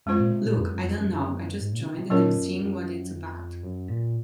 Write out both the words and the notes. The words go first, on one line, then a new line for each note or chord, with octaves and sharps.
Look, I don't know, I just joined and I'm seeing what it's about.
F#2 G#3 C4 F4 C5
A#2
C3
A#2
F2
F#2
F2
F#2
F#2
G#2
A#2
C#3
C3
C3
A#2 F#3 C#4 F4 A#4 C#5
F#2
F#2
F2
F#2
A#2